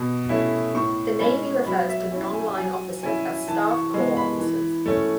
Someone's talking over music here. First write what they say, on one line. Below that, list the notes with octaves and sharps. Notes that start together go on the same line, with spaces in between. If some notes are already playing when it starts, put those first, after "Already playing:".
The Navy refers to non-line officers as Staff Corps officers.
Already playing: B2
A3 C#4 E4
A2 C#6
G#3 C#4 B5
F#3 B5
E5
C#4 E4
G#5
F#3 G#5
C#4 E4 G#5
E3 A5
C#6
G#3 B3
B5
E3
A3 C#4